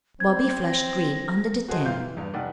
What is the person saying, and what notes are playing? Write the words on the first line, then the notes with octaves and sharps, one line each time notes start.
Bobby flushed red under the tan.
C4 C5 G#6
A#6
F#4 G#4 A4 C5 D#5
F#2 E3 C4 F4 F5 G6
E3
E2 G2
F1 G4 D5 F#5